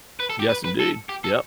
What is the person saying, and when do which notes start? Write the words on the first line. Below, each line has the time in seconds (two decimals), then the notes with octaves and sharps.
Yes, indeed, yep.
0.20 B4
0.30 A4
0.39 G4
0.49 B4
0.64 B4
0.80 A4
1.09 G4
1.24 A4